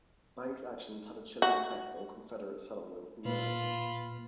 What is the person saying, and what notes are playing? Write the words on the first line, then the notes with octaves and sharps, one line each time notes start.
Banks's actions had a chilling effect on Confederate sentiment in Maryland.
F#4
A#2 A#3 F4 B4 B5